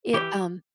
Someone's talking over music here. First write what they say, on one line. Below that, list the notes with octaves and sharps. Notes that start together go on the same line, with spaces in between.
Ye um
E3 G4